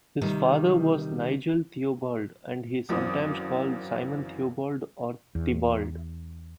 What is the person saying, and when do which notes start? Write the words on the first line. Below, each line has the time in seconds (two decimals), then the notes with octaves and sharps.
His father was Nigel Theobald, and he is sometimes called Simon Theobald or Tybald.
0.21 C3 D#3 G3
2.89 G#1 F#2 E3 C4 D6 D#6
5.35 E2